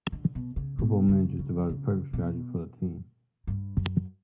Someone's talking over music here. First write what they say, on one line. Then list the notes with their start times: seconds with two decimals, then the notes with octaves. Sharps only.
Football managers devise the perfect strategy for their team.
0.12 D3
0.35 B2
0.56 C#3
0.79 B2
1.08 C#3
1.39 C#3
1.69 C#3
2.13 B2
3.47 G2
3.77 F#2